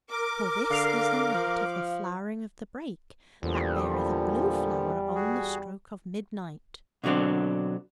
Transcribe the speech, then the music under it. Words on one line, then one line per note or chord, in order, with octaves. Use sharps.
For this is the night of the flowering of the brake, that beareth a blue flower on the stroke of midnight.
A#4 D6
D3 F5
F3
E2 A#2 D3 F3 G3
F#4 G#4
B2 D3 F#3 C4 D4